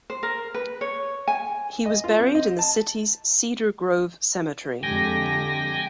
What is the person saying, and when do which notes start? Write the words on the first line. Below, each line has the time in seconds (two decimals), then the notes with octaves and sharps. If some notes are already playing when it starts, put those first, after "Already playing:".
He was buried in the city's Cedar Grove Cemetery.
0.10 C5
0.23 A#4
0.55 B4
0.81 C#5
1.28 G#5
1.86 D#5
2.04 F4
2.19 C4
2.35 D#5
2.59 A5
4.83 F2 D3 G#3 G4 G5 G#5 A#6